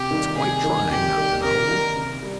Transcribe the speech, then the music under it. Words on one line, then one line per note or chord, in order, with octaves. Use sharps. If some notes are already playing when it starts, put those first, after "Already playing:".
It's quite trying not to know.
Already playing: C3 G4
D#3 G3 A#3 D#4
C3 G#4
D#3 G3 A#3 D#4
C3 G4
D#3 G3 A#3 D#4
C3 A#4
D#3 G3 A#3 D#4
C3
G3